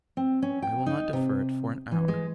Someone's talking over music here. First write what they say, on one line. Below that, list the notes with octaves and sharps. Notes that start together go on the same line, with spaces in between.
I will not defer it for an hour.'
C4
C#4
G5
D#4
C3
E3
G#3